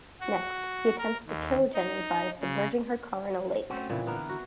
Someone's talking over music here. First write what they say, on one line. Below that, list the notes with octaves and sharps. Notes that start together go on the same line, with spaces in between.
Next, he attempts to kill Jenny by submerging her car in a lake.
F#4
A#4
D#2
D#4
C#3
A3 C4 C#4 F#4
E2 A#2 C#3 E3
D3 B3 A#4
F#4